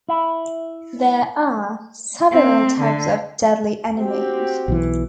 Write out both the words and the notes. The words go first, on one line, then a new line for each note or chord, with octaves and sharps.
There are several types of deadly enemies.
E4
C4
D3
C4 F#4 G4
B1 B2 E3